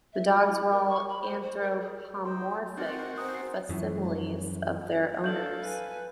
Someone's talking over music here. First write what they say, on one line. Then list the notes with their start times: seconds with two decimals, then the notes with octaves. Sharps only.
The dogs were all anthropomorphic facsimiles of their owners.
0.13 E5
0.27 F#4
0.47 E4
0.71 A#4
0.88 C#6
1.08 B5
1.22 C5
1.42 C5
1.60 A#4
1.80 G#4
2.25 D#4 C5 G5 C6
2.77 C4 D#4 F#4 A#4 D5 F6
3.17 B3 D#4 G#4 C5 D#6 F#6
3.35 C7
3.69 F#2 E3 F3
5.24 D4 A4 F5 G6 F#7
5.61 B4 G#5